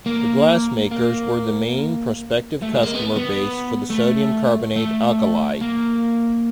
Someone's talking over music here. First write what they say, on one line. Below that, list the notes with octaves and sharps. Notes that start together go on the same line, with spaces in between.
The glassmakers were the main prospective customer base for the sodium carbonate alkali.
A#3
A#3
A3
G#3
A#3
B3
B3
A3
A3
A#3